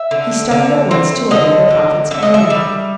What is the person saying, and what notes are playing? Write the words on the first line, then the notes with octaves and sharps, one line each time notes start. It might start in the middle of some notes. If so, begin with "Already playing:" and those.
He started at once to obey the prophet's command.
Already playing: E5
D3
D3
C4
D3 D#5
D3
D3 E5
D#5
E5
G3